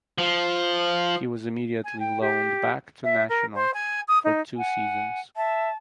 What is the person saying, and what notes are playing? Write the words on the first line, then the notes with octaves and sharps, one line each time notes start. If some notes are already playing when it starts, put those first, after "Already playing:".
He was immediately loaned back to Nacional for two seasons.
F3
G#5
G5
G4
E5
A#4
C5
G#5
D#6
D#4
F#5 G#5
E5 A5